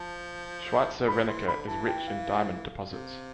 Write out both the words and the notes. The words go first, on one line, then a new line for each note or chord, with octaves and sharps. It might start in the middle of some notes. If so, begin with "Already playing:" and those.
Schweizer-Reneke is rich in diamond deposits.
Already playing: F3 A5
F3 B5
E3 C6
D3 B5
E3 A5
A5
G5
F5
C3